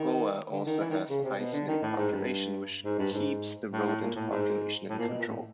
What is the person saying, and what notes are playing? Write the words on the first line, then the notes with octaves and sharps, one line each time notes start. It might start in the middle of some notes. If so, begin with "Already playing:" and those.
Goa also has a high snake population, which keeps the rodent population in control.
Already playing: D#3
D3
D#3
E3
D#3
C#3
C3
B2
D3
D#3
A2
G#2
G2
G#2
G2
G#2
A2
A2
A#2
A2
G#2
A2
A#2
B2
A#2
A2